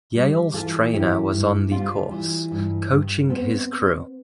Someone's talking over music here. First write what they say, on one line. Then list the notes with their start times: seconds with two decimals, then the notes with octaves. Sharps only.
Yale's trainer was on the course, coaching his crew.
0.15 G3
0.54 E3 F4 A4
0.93 G2 E4 G4
1.32 G2
1.71 G3 D4 F4
2.11 E3
2.51 G2
2.90 G2
3.30 B3 C4